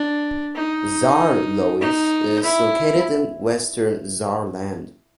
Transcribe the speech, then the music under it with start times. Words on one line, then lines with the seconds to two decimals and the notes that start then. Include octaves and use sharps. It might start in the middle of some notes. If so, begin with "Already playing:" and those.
Saarlouis is located in western Saarland.
Already playing: D4
0.56 D#4
1.81 D#4
2.44 E4